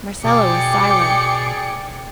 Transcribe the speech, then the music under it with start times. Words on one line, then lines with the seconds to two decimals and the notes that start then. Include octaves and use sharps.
Marcella was silent.
0.25 B2 G#4 D5 G5 D6 C#7